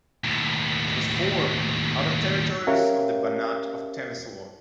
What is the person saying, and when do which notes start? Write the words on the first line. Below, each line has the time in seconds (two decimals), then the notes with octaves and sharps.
It was formed out of territories of the Banat of Temeswar.
0.24 D#2 A2
2.67 C#4 G4 A#4 C#5 E5 F5